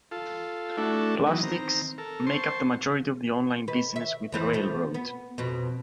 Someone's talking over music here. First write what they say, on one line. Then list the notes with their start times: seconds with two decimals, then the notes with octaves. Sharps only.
Plastics make up the majority of the online business with the railroad.
0.11 F4 A4
0.78 A3 D4 E4 F#4 A4
1.26 E3 F#3 B3 D#4
1.43 D#3 C4 A#5
1.98 A4 A#4
2.26 C5 A5 C6 C#6
3.68 D#3 B4
3.96 E5
4.32 F2 E3 F3
4.53 F3 A3
4.94 B3
5.38 F2 B2